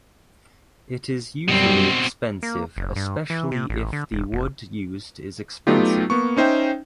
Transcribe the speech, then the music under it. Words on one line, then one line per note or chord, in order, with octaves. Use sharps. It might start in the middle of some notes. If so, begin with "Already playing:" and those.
It is usually expensive especially if the wood used is expensive.
F#2 B2 G3 C4
A#3
F#1
G2
E3
C3
A1
D3
E1
F1
F#3 A3 B3 D#4 F4 G4
A#3 B3 C#6
C#4 D#4 C5 E5 G5